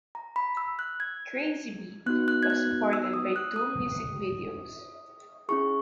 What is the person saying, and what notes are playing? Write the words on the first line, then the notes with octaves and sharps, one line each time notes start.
"Crazy Beat" was supported by two music videos.
A#5
B5
E6
F#6
G#6
B3 D#4 F#4 F#6
F#6
G#6
F#6
F#6
E6
D#6
F#6
D#6
C#4 E4 G#4 C#6